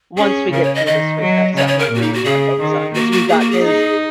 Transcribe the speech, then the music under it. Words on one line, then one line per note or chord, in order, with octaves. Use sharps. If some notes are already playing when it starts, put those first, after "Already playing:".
once we get through this week, that's something I'm really gonna focus on, 'cause we got his
C#4 G#4
C#3 A#4
C#5
D#5
D#3 D#5
F#3
C#3 C#5
C#5
A#4
A#2 F#4
D#4
F#4
C#3 G#4
D#3
A#3 F#4
F#4
A#3 G#4
F#4
G#4
D#4